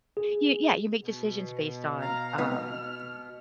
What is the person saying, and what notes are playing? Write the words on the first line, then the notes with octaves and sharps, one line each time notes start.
You yeah. You make decisions based on, um,
G#4
B2
F5 A#5
B3 D#4 F6